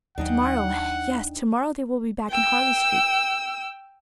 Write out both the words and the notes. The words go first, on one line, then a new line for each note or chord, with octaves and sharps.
'To-morrow--yes, to-morrow they will be back in Harley Street.
D#2 F#3 D4 D#4 F#5 G5
G5 E6